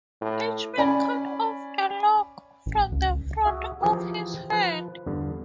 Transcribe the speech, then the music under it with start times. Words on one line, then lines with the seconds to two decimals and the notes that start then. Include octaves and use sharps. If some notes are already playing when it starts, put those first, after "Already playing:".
Each man cut off a lock from the front of his head.
0.21 A2
0.78 C#4 D5 G#5 B5
2.66 A1
2.92 C#2
3.45 F#4 G#4 E5
3.81 E3 F3 G4 G#4 A#4
4.52 F3 B4
5.06 E2 G2 D3